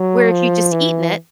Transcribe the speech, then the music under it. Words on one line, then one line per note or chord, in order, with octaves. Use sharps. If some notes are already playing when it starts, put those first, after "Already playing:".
where if you'd just eaten it
Already playing: F#3
F3
E3